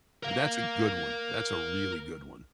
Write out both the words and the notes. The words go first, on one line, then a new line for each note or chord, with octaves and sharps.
but that's a good one, that's a really good one.
A#4 F5